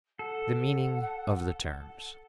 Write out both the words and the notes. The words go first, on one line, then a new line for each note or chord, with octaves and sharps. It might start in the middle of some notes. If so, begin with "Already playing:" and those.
The Meaning of the Terms.
A4 F#5